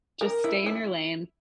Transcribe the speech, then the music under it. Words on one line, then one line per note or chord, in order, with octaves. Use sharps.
just stay in your lane
A#4
E4
E4